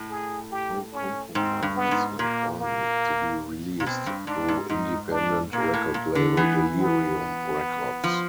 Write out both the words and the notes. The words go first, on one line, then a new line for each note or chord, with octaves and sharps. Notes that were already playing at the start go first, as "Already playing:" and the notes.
"No Compromize" went on to be released through independent record label Delerium Records.
Already playing: A2
G#4
G4
C#4
G#2 C4
G2
B3
G#2
A#2 A#3
A#3
A#2
B2 C4
G2
G#2 D4
G#2
G#2 D#4
D4
A#2 A#3
A2
A#2
D3
E3 B3
B3
F3